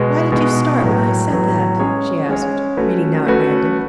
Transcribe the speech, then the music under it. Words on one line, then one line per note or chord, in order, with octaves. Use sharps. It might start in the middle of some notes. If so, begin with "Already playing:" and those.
'Why did you start when I said that?' she asked, reading now at random.
Already playing: B2 G#3 B3
B2 G#3 B3
A2 F#3 B3
A2 F#3 B3
G#3 C#4 G#4 C#5
G#3 C#4 G#4 C#5
A3 C#4 F#4 B4
A3 C#4 F#4 B4